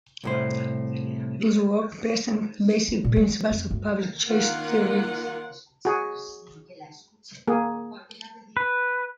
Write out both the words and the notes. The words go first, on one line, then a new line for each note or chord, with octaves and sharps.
This work presents the basic principles of public choice theory.
C2 A2 C5
F3
A#2 D3
G3 A3
B3
F2
D2 G2
D#3 A#3 F4 A#4 F#5
F#4 G#4
A#3 G#4
B4